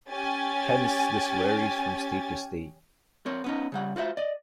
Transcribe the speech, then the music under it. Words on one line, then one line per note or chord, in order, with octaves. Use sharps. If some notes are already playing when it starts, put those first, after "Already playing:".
Hence this varies from state to state.
C#4 G4 G#5 A6
C4 A#4 C#5
B3 C#4 D#4
C#3 G3 F#5
F4 F#4 C5 E5
D5 D#5